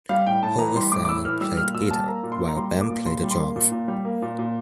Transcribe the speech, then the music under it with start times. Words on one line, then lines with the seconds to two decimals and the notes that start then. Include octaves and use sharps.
Howard sang and played guitar while Ben played the drums.
0.09 G3 F5
0.26 A2 G5
0.43 A2 A5
0.58 E3 A#5
0.75 G3 C6
0.92 A2 D6
1.05 D6
1.09 A2 E6
1.25 E3 F6
1.41 G3 E6
1.57 A#2 F6
1.74 A#2 E6
1.91 G3 A5
2.07 A#3 A#5
2.23 A#2
2.32 C6
2.41 A#2
2.47 A#5
2.57 G3 C6
2.74 A#3
2.81 D6
2.90 A#2
3.06 A#2 C6
3.23 G3
3.31 C6
3.39 A#3
3.56 A#2
3.72 A#2
3.88 G3
4.05 A#3
4.22 A#2
4.39 A#2